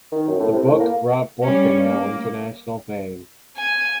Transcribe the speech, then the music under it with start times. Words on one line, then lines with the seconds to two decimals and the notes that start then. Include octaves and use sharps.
The book brought Borkenau international fame.
0.12 D#3
0.27 F#2
0.40 A2
0.53 C3
0.65 A2
0.80 A#3
1.43 G3 C#4
1.83 A#3
3.57 G#5